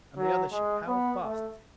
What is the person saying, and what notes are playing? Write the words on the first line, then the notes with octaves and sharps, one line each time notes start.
"And the other ship--how fast is it?"
F#3
G#3
B3
A3